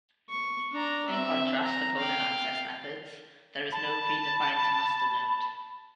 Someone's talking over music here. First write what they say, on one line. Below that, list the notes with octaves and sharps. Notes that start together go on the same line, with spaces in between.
In contrast to polling access methods, there is no pre-defined "master" node.
C#6
D4 A#5
C4 E5
A#5
F5 G5
A5 B5